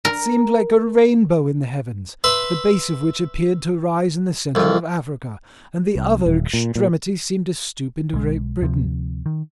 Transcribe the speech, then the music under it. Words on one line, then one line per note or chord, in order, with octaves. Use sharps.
It seemed like a rainbow in the heavens, the base of which appeared to rise in the centre of Africa, and the other extremity seemed to stoop into great Britain.
A#4
B4 E5 C6
C2 F2
C2
D#1
A#2
A#2
B1 G#3
D2 C3 F3
D#3